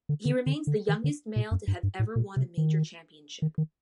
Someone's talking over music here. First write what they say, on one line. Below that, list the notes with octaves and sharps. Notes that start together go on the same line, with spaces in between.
He remains the youngest male to have ever won a major championship.
D3
D3
D3
D3
D#3
D3
A#2
F#2
G2
G2
A2
A#2
C3
D#3
D#3
D#3